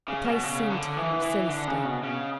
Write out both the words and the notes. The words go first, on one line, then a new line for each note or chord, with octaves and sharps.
The place seemed to him sinister.
C#3
B2
C#3
D3
E3
E3
D3
C#3
B2
C#3